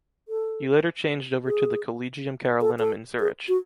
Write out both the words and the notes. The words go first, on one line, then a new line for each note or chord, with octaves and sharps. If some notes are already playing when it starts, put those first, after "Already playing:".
He later changed over to the Collegium Carolinum in Zurich.
A4
G#4
A4
A4
G#4
F#4